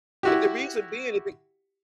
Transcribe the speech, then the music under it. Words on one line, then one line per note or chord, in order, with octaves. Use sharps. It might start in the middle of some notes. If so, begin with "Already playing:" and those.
and the reason being it b
E4 F#4 G4